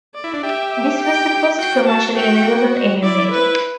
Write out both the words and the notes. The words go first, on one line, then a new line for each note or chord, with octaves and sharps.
This was the first commercially available emulator.
D5
E4
D4
G4 E5
E5
G5
F#4 G5
A5
F#4 G5
E4 D5
B4